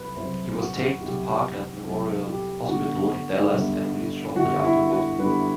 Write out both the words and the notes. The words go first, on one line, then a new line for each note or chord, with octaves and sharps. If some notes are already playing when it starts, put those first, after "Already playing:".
He was taken to Parkland Memorial Hospital in Dallas and released shortly afterward.
Already playing: C2 C3 F#3 B4
C2 C3 F#3 C5
F#4
C2 C3 F#3 G4
C2 C3 F#3 A4
G4
G1 G2 D3 G3 F#4
G1 G2 D3 G3
G1 G2 D3 G3 F#4
E4
F#4
G1 G2 D3 G3 B4